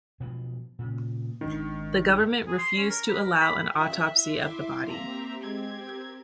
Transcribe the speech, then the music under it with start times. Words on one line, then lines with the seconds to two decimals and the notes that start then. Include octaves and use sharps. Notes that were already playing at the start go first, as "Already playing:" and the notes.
The government refused to allow an autopsy of the body.
0.20 B2 E3 F3
0.79 A#2 C#3
1.41 G#1 D#3 D4
2.47 G#4
2.59 C6
2.77 C#4
2.90 A#4
3.09 B4
3.21 A#4
3.41 B5
3.74 C#3 G3 F4 E5 F#6
4.16 E4 C6 D6
4.89 A#3 C4 G4 E5 A#5
5.43 G#3 G#6
5.89 A#4